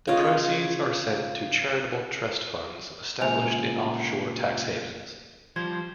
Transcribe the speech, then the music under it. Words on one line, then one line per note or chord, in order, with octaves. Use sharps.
The proceeds are sent to charitable trust funds established in off shore tax havens.
C#3 F4 C#5 D#5
C#2 A#2 C5 G#5 F7
F3 G3 C5 G#6